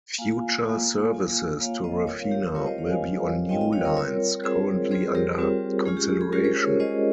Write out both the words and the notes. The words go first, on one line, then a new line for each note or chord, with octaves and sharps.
Future services to Rafina will be on new lines, currently under consideration.
A#3 F4 F5 G#5
A#3 F4
A#3 F4
A#3 F4 C#5 F5
C5 D#5
G3 C4 F4 A#4 C#5
C#5 F5
G4
G3 C4 F4 A#4 C#5
C5 D#5
C#5 F5
F5 G#5
G3 C4 F4
G3 C4 F4 D#5 G5
D#5 G5
C#5 F5
A#4 C#5
G3 C4 F4 A#4 C#5
G3 C4 F4 G#4 C5
G3 C4 F4 G#4 C5
G4 A#4
G3 C4 F4
G#3 C#4 F4 G#4
G4
G4
G#4
G#3 C#4 F4 G4 A#4
G#4 C5
A#4 C#5
G#3 C#4 F4 C5 D#5